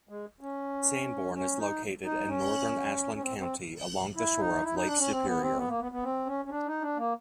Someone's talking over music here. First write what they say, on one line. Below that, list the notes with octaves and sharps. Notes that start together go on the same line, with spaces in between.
Sanborn is located in northern Ashland County, along the shore of Lake Superior.
G#3
C#4
C#4
D#4
D#4
C#4
C#4
C4
C4
E4
D#4
E4
D#4
D4
C#4
C4
B3
C4
B3
A#3
B3
B3
C4
C#4
C#4
D4
D#4
D4
A#3